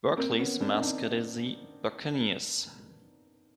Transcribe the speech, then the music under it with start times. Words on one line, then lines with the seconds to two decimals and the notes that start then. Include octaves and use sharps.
Berkeley's mascot is the Buccaneers.
0.17 A#3 C4
0.39 B3 C#4
0.61 C4 D4
0.76 D#4
0.83 C4 D4